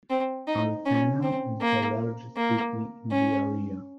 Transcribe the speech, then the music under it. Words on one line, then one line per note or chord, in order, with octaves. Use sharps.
Alpena is the largest city in the area.
C4
D#4
C#4
C4
A#3
A#3
C#4